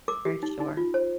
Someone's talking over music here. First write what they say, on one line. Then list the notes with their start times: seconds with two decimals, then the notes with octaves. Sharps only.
For sure.
0.08 A#4 D6
0.25 G4
0.43 D#4
0.60 D#4
0.77 F4
0.94 C5